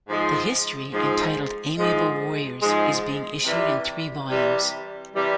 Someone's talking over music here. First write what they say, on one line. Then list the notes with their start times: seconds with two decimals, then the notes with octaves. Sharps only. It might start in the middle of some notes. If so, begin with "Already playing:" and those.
The history, entitled "Amiable Warriors", is being issued in three volumes.
0.09 G#2 F3 G#3
0.93 G#2 F3 G#3
1.78 G#2 F3 G#3
2.61 G#2 F3 G#3
3.45 C3 E3 G3
4.29 C3 E3 G3
5.14 C3 E3 G3